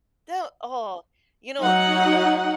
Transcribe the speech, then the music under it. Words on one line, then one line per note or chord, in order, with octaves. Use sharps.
the oh, you know,
F#3 D#4 F#5